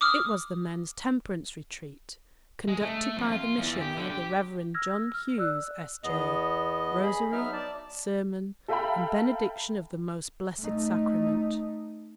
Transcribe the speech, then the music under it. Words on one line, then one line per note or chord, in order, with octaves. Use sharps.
It was the men's temperance retreat conducted by the missioner, the reverend John Hughes S. J., rosary, sermon and benediction of the Most Blessed Sacrament.
D6 D#6 F6
G#3
A3
F2
F4
E2
G4
D3
G4
E6 F6 G#6 A#6
F6
D5 E6 F#6
E2 B3 D#5
G#4 B5
F#3 B3 D#4 E5 F6
D5 A5
A4 E5 F5 G5 A#5 B5
A3 D#4